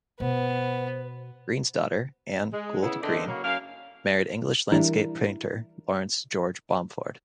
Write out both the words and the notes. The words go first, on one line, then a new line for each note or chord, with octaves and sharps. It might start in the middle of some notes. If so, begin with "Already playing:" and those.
Green's daughter, Anne Goold Green, married English landscape painter Laurence George Bomford.
B2 B3 C5
G#3
C#3 B3 E4
D3 D#3 A3 C4 D5 D#5
C#3 F#3 A#3
F#2 A#3 C#4 F5
E3 G3 D4 E4 A#4